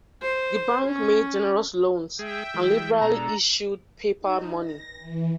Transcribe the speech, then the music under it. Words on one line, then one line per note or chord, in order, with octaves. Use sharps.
The bank made generous loans and liberally issued paper money.
C5
C#4
G#3 G#4 E5 G5
E3 G#3
B2 G#3 D4 A4 A#5
D#4
A#6
E3